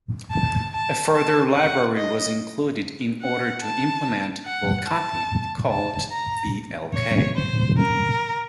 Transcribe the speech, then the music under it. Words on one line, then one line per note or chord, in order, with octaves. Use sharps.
A further library was included in order to implement "Bulk Copy" called blk.
A5
A5
A5
F#5
D#5
F#5
A5
F#5
A5
A5
A#5
C#5
C5
A#4